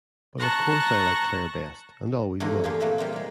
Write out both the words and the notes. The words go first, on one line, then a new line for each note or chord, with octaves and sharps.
But of course I like Claire best and always will.
A5 A#5 C#6 F#6 A#6
E2 G2 D3 A#3 F4 A#5
A3 A#3 F4 G4 G#4
A#2 E3 F#3 A3 A#3 C4
G3 A#3 D#4 F4
C3 G#3